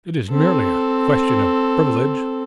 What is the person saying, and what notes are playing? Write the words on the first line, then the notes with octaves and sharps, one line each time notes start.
"It is merely a question of privilege."
C4 A4